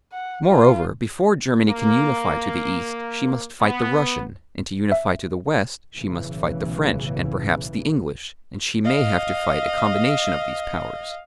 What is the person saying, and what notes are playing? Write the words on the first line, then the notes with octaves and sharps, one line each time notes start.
Moreover, before Germany can unify to the East she must fight the Russian, and to unify to the West she must fight the French and perhaps the English, and she may have to fight a combination of these powers.
F#5
F4
A#3
B3
E5
B1 A2 C#3 E3
D#5 F5